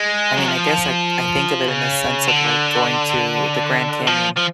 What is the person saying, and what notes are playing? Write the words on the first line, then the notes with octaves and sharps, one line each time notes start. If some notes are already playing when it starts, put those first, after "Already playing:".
I mean, I guess, I I think of it in the sense of, like, going to the Grand Canyon,
Already playing: G#3
F#3
F3
C#3
D3
F3
F3